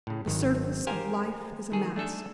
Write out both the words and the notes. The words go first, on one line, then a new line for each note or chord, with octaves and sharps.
The surface of life is a mask.
A2 C#3
G#1 D#3 F#3
G4 A#4 C5 F5 G#5
D#3 G#4 A4
A3 D4 A4 E5